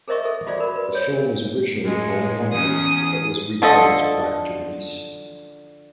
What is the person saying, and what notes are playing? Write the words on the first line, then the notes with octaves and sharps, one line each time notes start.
The film was originally called "Wannabe", but was retitled prior to release.
G#4 A#4 C5 D#5 E5 C#6
G#4 A4
F4 F#4 G#4 C5 D5
F#4 A#4 B5
B4
C5 C#5
A2 G#3
E2 C#4 D#6
D3 F3 A4 D#5